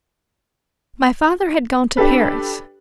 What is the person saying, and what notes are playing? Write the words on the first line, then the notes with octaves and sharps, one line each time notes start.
My father had gone to Paris.
D4 G4 A4 B4